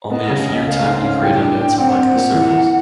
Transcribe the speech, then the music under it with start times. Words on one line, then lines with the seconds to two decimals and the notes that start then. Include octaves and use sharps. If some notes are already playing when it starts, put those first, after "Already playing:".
Only a few tiny craterlets mark the surface.
0.11 B3 D#5
0.30 C#3
0.48 C#2
0.67 A3 F5
0.85 G#2
1.04 C#4
1.22 A2 G5
1.41 D4
1.60 D4
1.78 C4 F#5
1.96 C4
2.15 A#2
2.33 E3
2.52 E3